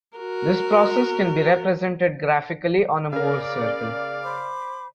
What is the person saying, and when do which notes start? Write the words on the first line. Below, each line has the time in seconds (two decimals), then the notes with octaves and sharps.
This process can be represented graphically on a Mohr's circle.
0.18 F#4 A#4
3.13 C#3 A#4 D5 F5
4.22 C5 B5 D6